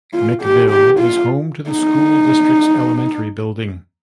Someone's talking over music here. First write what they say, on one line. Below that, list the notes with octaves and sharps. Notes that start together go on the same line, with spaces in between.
McVille is home to the school district's elementary building.
F4
G4
G4
F4
D#4